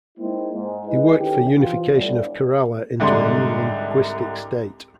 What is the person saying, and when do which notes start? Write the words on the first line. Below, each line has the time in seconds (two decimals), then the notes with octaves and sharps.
He worked for unification of Kerala into a new linguistic state.
0.18 G#3 A#3 C4 D#4 E4
0.54 G#2
0.86 D#4 E4 G#4 B4 D#5
1.17 D3 D#3 C#4 G4
1.58 E3 F3 F4
1.93 G1 A2 D5
3.00 C2 G#2 D3 C6